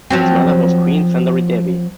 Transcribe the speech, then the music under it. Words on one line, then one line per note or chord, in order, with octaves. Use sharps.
His mother was queen Sundari-Devi.
F3 F#3 C4